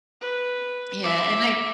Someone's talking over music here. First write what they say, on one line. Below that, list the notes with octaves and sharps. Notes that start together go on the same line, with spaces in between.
yeah, and I
B4
D5 E5